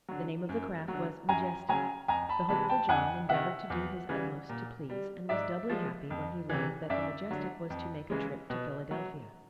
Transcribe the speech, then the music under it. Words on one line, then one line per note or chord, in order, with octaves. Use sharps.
The name of the craft was "Majestic." The hopeful John endeavored to do his utmost to please, and was doubly happy when he learned that the "Majestic" was to make a trip to Philadelphia.
D3 F#3
F#2
F#3
D3
F#2 G#5 A#5
C#3 F#3 G#5 A#5
F2 G#5 A#5
A5 B5
C3 E3 G#3 A5 B5
G5 A5
F2 F#5 G#5
C3 D#3 E5 F#5
E2
C#3 E3 G3
A#2
G3
G#2 D5 E5
F3 G#3
F2
C3 E3
F#2 D5 E5
D3 F#3
F2
C#3 E3 G#3
B2
F#3